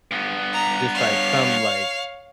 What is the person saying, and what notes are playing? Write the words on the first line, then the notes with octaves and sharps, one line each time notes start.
just, like, some, like,
G2 B3
A#5
C#5 F5